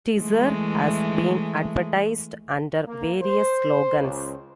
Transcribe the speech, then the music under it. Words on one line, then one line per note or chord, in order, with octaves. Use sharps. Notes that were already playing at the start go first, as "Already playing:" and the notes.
Tizer has been advertised under various slogans.
E3 G#3 A3
A#3
C5
C#2